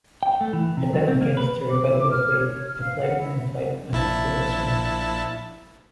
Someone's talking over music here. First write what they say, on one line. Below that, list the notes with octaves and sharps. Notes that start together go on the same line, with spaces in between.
It then begins to repetitively deflate and inflate as the seal is swimming.
G5
A3
E3
C3
F#3
C4
A#3
B4
D6
E4
D6
F6
C#5
C#5
F6
F5
F#5
E4
A#1 E4 A5